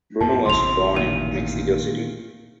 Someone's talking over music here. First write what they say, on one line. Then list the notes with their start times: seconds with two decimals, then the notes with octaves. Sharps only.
Bruno was born in Mexico City.
0.21 F#2 A#2 A5
0.46 A1 E2 C3 C6 F7
0.96 A#2 D#3 D#7